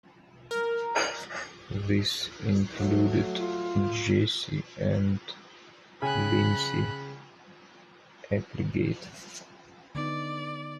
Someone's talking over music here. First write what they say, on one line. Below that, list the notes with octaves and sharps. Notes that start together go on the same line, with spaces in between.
This included Jesse and Lindsay Applegate.
A#4
F#3 A3
F4
C#3 G5 G#5 B5 F#6
D3 B3 D#4 D5